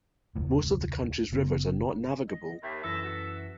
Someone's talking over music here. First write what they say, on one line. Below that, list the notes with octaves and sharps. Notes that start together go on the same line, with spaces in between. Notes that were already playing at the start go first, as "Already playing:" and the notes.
Most of the country's rivers are not navigable.
E1 C#2 A2
F#1 C#3 B3
D#5
D#2 E5
F#2 E3 A4 E5 E6 A#6
F#4